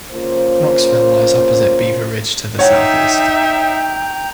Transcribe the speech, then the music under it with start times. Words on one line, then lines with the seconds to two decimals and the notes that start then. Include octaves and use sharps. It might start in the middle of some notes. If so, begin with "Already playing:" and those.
Knoxville lies opposite Beaver Ridge to the southeast.
0.12 C#3 A#3 F4 C5
2.59 D#4 C#5 E5 F#5 G5 A#5 G6